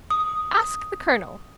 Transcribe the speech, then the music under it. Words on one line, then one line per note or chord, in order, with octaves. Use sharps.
"Ask the Colonel."
D#6